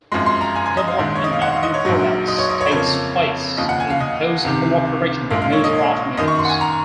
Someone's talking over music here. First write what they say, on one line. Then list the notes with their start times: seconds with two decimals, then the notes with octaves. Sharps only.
Development of new products takes place in close cooperation with major automakers.
0.12 G#1 F#2 F3 G#3 C6
0.26 C6
0.41 A#5
0.55 G#5
0.66 G#5
0.77 D#5
0.88 F5
0.98 A#1 G#2 D#3 G#3
1.15 C#5
1.24 D#5
1.33 F5
1.42 F#5
1.52 F5
1.63 D#5
1.74 C#5
1.85 A#1 G#2 F#3
2.28 D#5
2.38 C#5
2.49 D#5
2.61 C#5
2.71 F2 C#3 F3 A#3 C#5
3.57 D#2 C#3 F3 D#5
3.69 F#5
3.80 G#5
3.90 F5
4.00 D#5
4.44 C#2 C3 D#3
5.30 A#1 A#2 G#3 F5
5.42 F5
5.53 C#5
5.64 D#5
6.17 F#2 D#3 A#3 D#5
6.28 C#6
6.39 C6
6.45 F#5
6.49 G#5
6.61 A#5